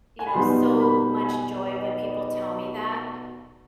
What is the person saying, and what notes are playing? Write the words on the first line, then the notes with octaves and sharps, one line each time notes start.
you know, so much joy when people tell me that
G#5
B5
B2 G3 B3 D#4 C6
B5
G#5
D#5
D5
D#5